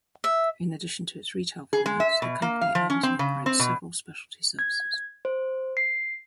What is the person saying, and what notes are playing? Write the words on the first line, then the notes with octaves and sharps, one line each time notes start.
In addition to its retail formats, the company owns and operates several specialty services.
E5
G#4
G#3
E5
B2
A#3
F5
F3
C#4
C4
C#3
C4
B2
G#6
C5
C7